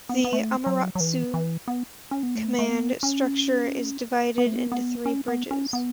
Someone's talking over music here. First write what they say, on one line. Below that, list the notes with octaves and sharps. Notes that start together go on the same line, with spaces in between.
The "Amaterasu" command structure is divided into three bridges.
B3
B3
A3
F#3
F#3
E3
E3
B3
C#4
B3
A3
A3
B3
C#4
B3
A3
B3
B3
C#4
B3
C#4
B3